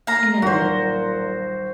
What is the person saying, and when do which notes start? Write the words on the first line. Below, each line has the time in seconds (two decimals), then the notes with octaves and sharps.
in a
0.07 A#3 F5 A#5 C7
0.42 D#1 B1 A#2 F#4 C5